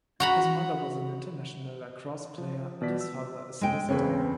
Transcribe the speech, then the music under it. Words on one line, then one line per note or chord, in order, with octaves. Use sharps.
His mother was an international lacrosse player and his father a solicitor.
F#4 A#5 B5
F3
B2 D5 B6
E6
G#3 G5
E2 C#3 C4 B4 C#5